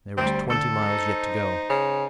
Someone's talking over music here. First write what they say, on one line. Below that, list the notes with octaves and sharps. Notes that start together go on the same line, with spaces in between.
There was twenty miles yet to go.
D2 G3 C4
D3 A4
D#4 C5
C#3